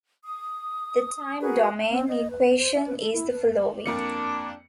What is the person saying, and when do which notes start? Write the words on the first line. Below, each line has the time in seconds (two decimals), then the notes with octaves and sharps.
The time-domain equation is the following.
0.24 D#6
1.40 F#4 G#4 A#4 B4
1.91 C4
2.09 D#5
2.31 B4
2.57 C5
2.75 E5
2.87 B4
3.00 A4
3.14 E4
3.31 B4
3.86 F2 A#3 D4 D6 C#7